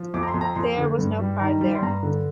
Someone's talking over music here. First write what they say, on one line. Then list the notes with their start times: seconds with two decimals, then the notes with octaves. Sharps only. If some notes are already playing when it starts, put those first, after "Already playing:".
There was no pride there...
Already playing: F3
0.14 F2 D6
0.23 A#5
0.28 C6
0.34 F2
0.41 A#5
0.55 F2 C6
0.77 D3
0.98 G2
1.19 G3
1.39 D#3 A#5
1.61 G3
1.75 C6
1.82 G2 A#5
2.03 D3